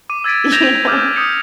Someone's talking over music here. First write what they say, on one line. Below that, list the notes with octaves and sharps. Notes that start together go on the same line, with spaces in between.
you know,
D6 D#7
E6 G#6 A6 B6 D7
G6 A6 A#6 E7 F7
D6 E6 F6 G6
D#6 G6 C#7